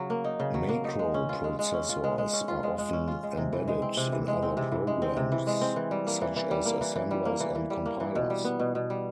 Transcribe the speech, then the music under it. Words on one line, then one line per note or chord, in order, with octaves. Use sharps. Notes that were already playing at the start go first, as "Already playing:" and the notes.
Macro processors are often embedded in other programs, such as assemblers and compilers.
Already playing: C#3 F#3
A#3
D#4
C#3
F#3
A#3
D#4
G#3
C#4
F4
G#3
G#3
C#4
F4
G#3
G#3
C#4
F4
G#3
G#3
C#4
F4
G#3
C3
E3
G#3
C4
C3
E3
G#3
C4
C3
E3
G#3
C4
C3
E3
G#3
C4
E3
G3
A#3
E3
E3
G3
A#3
E3
E3
G3
A#3
E3
E3
G3
A#3
E3
B2
G3
B3
B2
B2
G3